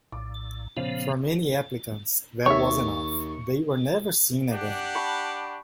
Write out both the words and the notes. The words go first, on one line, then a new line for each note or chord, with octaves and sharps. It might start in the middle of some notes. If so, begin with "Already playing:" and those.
For many applicants that was enough; they were never seen again.
A#1 A2 D6
A#2 C#3 F3 B3 C5
D#2 C#5 E5 C#6
D4 G4 F#5
A5 B5 C#6